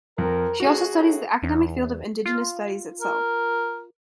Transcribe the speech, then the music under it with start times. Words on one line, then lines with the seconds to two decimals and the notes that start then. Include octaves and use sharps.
She also studies the academic field of indigenous studies itself.
0.18 F2 A#4
0.60 D2 F#4 G#4
0.92 F#2 A2 A4
1.43 E2
2.25 F4
3.01 A#4